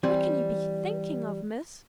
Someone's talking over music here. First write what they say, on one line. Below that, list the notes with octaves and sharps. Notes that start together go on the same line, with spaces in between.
What can you be thinking of, Miss?
E3 G3 C4 G#5